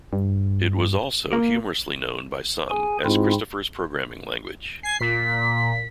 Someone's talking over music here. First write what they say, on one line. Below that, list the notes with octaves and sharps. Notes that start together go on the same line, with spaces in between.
It was also humorously known, by some, as Christopher's Programming Language.
G2
A#3
G#4 G#5
G#2 C4 E4 F4
G#5 C7
A#2 B6